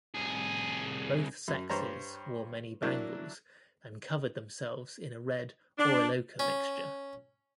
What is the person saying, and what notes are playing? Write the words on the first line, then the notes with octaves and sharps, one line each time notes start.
Both sexes wore many bangles, and covered themselves in a red oil-ochre mixture.
C2 G#4
F#2
G2 C5 C#5 A#5
F#3 A#3 D4 E4
D4
C#4